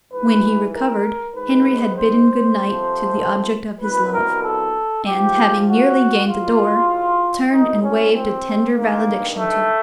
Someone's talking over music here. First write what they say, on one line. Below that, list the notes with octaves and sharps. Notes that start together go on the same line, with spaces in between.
When he recovered, Henry had bidden good-night to the object of his love, and, having nearly gained the door, turned and waved a tender valediction to her.
G#2 E3 B4
A#4
G#2 D#3 B4
C5
F2 C3 F3
C2 B2 B4
A#4
A4
G#2 F3 G4
F#4
E2 B2 F4
C2 B2 D#4
C#4
C4
G2 D#3 A#3
A3